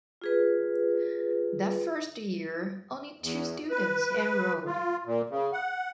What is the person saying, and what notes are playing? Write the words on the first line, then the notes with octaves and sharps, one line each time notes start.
That first year only two students enrolled.
F4 G#4 B4
E2
B4
F4
A#2
C#3
F#5